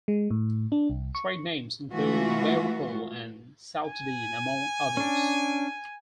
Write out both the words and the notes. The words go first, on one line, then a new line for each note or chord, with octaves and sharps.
Trade names include Bayrepel and Saltidin among others.
G#3
A2
D4
C2
C#6
E3 G#3 A3 F4 F#4
G#5
C#4 D4